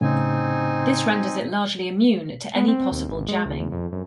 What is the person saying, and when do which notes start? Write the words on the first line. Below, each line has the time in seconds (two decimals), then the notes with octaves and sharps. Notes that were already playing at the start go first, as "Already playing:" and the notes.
This renders it largely immune to any possible jamming.
0.01 A2 C#3 C4 D#4 G#5
2.56 B3
2.68 C4
2.92 D#2
3.09 G#1
3.29 G#3
3.46 C#2
3.59 E2
3.72 F2
3.92 F#2